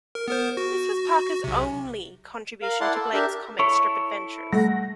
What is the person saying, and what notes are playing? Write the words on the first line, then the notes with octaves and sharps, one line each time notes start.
This was Parker's only contribution to Blake's comic strip adventures.
A#4
B3 A#4 C5
F#4
B1 C3
A#4 F5
E4 D5 F#5 A5 C6
A4
D4 G4 A#4 E5
E4 A4 C#5 C#6
G3 A3 F#5 A#6